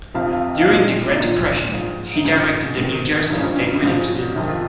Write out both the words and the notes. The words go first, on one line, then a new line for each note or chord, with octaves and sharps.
During the Great Depression, he directed the New Jersey state relief system.
F2 C3 F3 F5
F5
D#5
F5
A#2 F3 D#5
D#4
A#2 F3 F4
G#2 F3
D#4
G#2 F3 C#4
G#2 D#3
G2 F3 D#4
C#4
C#4
G#2 F3
F2 C3 D#3 D#4
F4